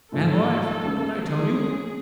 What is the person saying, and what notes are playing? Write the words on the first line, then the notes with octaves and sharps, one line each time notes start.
'Man alive, don't I tell you?
G#2 F3 A3 D4 A4
D2 C#3 G#3 B3
G#4
C#3 G#3 C#4